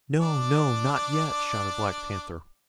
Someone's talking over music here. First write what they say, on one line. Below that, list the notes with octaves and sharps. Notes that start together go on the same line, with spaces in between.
"No, no, not yet!" shouted Black Panther.
D4 D5